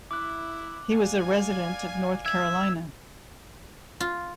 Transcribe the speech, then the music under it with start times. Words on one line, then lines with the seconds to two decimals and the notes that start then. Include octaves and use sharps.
He was a resident of North Carolina.
0.11 E4 D6 F#6
0.91 D5 F5 G#5
2.26 E5 G#6
4.00 F4